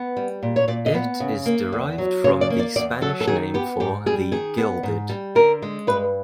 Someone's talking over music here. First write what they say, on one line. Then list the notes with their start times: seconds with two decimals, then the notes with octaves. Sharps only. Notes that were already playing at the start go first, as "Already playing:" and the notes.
It is derived from the Spanish name for "the gilded".
Already playing: B3
0.17 G3
0.43 A#2
0.56 C#5
0.68 A#2 D5
0.86 D#5
0.94 B3
1.20 C#3
1.46 A#3
1.73 E2
1.98 F#3
2.24 C#3 C#5
2.41 D5
2.50 A#3
2.59 D5
2.76 E2 D5
3.02 F#3 A4
3.21 A4
3.27 D#3 G#4
3.54 B3 G4
3.80 G#2 G4
4.06 G3 G#4
4.32 D#3 G#4
4.58 B3
4.83 G#2
5.10 G3
5.35 D3 A#4
5.62 G#3
5.87 G2 B4